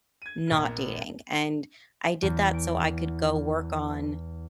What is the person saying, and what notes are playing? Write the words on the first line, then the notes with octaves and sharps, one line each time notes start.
not dating, and I did that so I could go work on
G#6 D#7
A#1 A#4
E2
D7